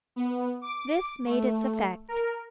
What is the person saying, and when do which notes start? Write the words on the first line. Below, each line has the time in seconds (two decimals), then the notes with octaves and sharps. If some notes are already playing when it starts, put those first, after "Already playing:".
This made its effect.
0.16 B3
0.62 D6
1.26 A3
2.08 A#4